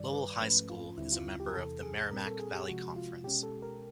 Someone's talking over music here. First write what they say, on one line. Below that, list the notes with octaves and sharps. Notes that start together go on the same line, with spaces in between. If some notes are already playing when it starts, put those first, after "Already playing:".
Lowell High School is a member of the Merrimack Valley Conference.
Already playing: G2 D#3 G3 D5
B4
G#2 F3 A3 C#4 B4
F4
D#2 D3 G3 C4 E4
F4
G4
A#4
E2 C3 E3 A4
G#4
A#2 G3 C4 A#4
A4
G#4
G4
C3 F3 G#3 F#4
F4
B2 G#3 C#4 G4
A4
A#4